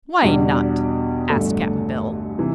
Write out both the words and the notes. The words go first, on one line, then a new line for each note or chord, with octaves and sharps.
"Why not?" asked Cap'n Bill.
E2 B2 G3 D4 F#4
A1 G2 D3 A3
C3 E3